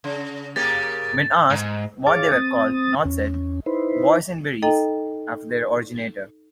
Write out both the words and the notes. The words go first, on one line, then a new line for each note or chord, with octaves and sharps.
When asked what they were called, Knott said, "Boysenberries," after their originator.
C#3
C#3 A#3 G4 A6
G#2
G#4 C#5 F5 D6 A6
C4 D#6 A6
E2 C#4
D#4 E4 B4 C5
D#4 A4 D#5 G5 A#5